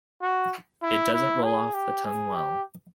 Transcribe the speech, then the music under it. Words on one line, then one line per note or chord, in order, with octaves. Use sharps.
It doesn't roll off the tongue well.
F#4
E4
E4
G#4
G4
G#4
G4